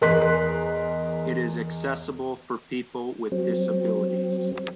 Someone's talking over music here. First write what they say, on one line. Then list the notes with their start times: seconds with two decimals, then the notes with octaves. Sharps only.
It is accessible for people with disabilities.
0.02 E2 A#4 D#5 C6 F#6 B6
3.32 F#3 C4